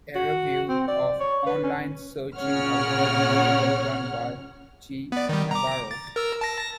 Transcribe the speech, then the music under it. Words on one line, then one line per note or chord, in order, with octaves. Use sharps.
A review of on-line searching algorithms was done by G. Navarro.
F#4
C4
D5
C#5
B4
C#4
A#2 C#3 C#5 F#5 F6
B3 D5
D#3 G3
A#5 D6
A6
A#4 E6
A5 A#6